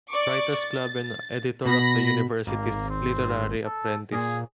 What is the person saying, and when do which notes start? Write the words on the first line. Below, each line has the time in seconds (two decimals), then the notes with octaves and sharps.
Writer's Club and editor of the university's "Literary Apprentice".
0.11 D5 C#6 D6
0.57 A6
1.65 B2 B5 A#6
2.47 G#1 A#3
2.90 C4
3.65 A4
4.12 A#2 G#4